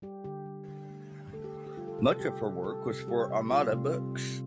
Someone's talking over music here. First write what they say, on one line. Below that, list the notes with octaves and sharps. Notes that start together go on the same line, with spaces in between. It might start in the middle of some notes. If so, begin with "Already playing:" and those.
Much of her work was for Armada Books.
G3 G4
D3 G4
G3
D3
A3
D3
A3 A4
G4
D3
G4
G3 F4
A4
C3 A4
A4
G3 G4
C3
G3 A4
C3
G3 G4
C3
G3 F4
C3
G3
C3